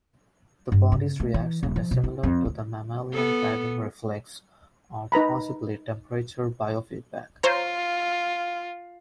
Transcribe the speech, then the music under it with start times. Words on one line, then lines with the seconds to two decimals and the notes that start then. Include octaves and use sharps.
The body's reaction is similar to the mammalian diving reflex or possibly temperature biofeedback.
0.72 G2
0.92 C#3
1.20 A3
1.34 E3
1.63 D#1
1.76 F3
1.91 B2
2.04 E4
2.23 F2
2.45 D2
3.13 B3 A4
5.12 D#4 B4 A#5 B5
7.43 F4 C5 C#5 A#5